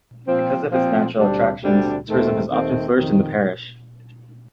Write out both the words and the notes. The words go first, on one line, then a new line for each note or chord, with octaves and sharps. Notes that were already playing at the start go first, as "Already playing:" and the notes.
Because of its natural attractions, tourism has often flourished in the parish.
A#2 F3 C4
A#2 F3 C4
D2 C3 G3 D4
D2 C3 G3 D4
D#2 D#3 A3 C4
D#2 D#3 A3 C4
F2 C3 D#3